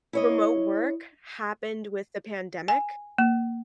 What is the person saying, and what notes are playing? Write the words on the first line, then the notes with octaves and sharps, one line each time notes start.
remote work happened with the pandemic.
E4 C#5 D#5
G#5
A#3